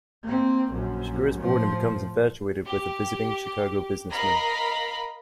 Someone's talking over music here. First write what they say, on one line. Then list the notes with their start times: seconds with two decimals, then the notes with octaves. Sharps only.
She grows bored and becomes infatuated with a visiting Chicago businessman.
0.23 A#3 C4
0.71 A#1 F#2
1.39 A2 F3
2.66 G4
4.10 A#4 D#5 F5 A#5 B5